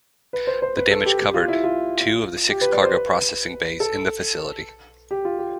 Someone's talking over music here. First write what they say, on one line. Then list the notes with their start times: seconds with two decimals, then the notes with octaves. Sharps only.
The damage covered two of the six cargo processing bays in the facility.
0.33 B4
0.47 C5
0.62 C5
0.77 B4
0.91 A4
1.06 G4
1.19 G4
1.34 F4
1.48 E4
1.64 F4
2.50 G4
2.61 B4
2.72 D5
2.83 C5
2.93 B4
3.80 A4
5.11 G4
5.25 F4
5.39 G4